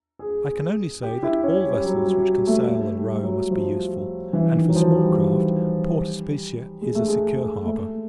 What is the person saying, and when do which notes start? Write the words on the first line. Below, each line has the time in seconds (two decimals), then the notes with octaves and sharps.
I can only say, that all vessels which can sail and row must be useful; and, for small craft, Port Especia is a secure harbour.
0.19 G#4
1.03 G4
1.23 E4
1.43 C#4
1.65 G3
1.75 G3
1.85 F#3
2.06 F#3
2.26 G3
2.47 A3
2.68 A3
2.96 G3
3.23 F#3
3.51 F3
4.33 E3
4.54 D#3
4.68 F#3
4.75 F3
4.95 G3
5.16 G3
6.81 G#3
6.95 A3
7.08 G#3
7.65 A3